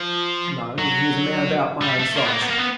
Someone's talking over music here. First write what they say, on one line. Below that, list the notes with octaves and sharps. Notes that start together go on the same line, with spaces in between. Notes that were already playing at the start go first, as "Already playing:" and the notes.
"No, he is a man about my own size."
Already playing: F3
F#3
G3
A3
A#3
B3
A#3
B3
A#3
B3